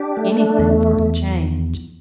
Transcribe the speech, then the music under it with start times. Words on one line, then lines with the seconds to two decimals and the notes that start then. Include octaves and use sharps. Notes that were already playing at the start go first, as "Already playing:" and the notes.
Anything for a change.
Already playing: D4 G4
0.17 A3
0.58 E2
0.99 E2